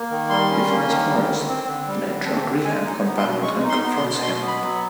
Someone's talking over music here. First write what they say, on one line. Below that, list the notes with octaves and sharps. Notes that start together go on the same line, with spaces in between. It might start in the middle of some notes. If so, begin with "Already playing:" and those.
He finds Forrest in a drug rehab compound and confronts him.
Already playing: A#3
D#3
G3 C6
C#4
A#3
D#3
G3
D3
C4
D3
G3
D3
C4 A5
D3
G#3 G#5
D#4
B3
C6
B2
G#3 C#6
D#4
C6
B3
C6
B2
B2 C6
B3
B5
F#3